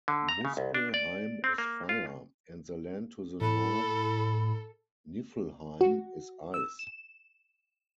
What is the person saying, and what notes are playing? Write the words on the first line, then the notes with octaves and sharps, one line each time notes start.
Muspelheim is fire; and the land to the North, Niflheim, is ice.
D3
A#5
C#3
C2
D4
D5
C4
A#3
F4
A2 A4 B5
F#4
E6
E7